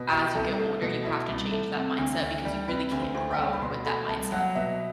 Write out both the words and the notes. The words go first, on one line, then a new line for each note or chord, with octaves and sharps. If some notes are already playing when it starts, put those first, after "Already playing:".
as you get older, you have to change that mindset because you really can't grow with that mindset.
Already playing: B2
E4 G4
C2 A4
A3
B2
E4
C2
A3
C3
D2
D2
G3
C3 B4
D2
C5
D2
G5
G3
B5
B2 C6
A3 B5
C2 A5
F#3 F#5
B2 E5